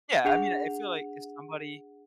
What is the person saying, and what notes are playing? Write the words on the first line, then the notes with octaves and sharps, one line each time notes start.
Yeah, I mean I feel, like, if somebody's,
D4 G#4 F#5 F7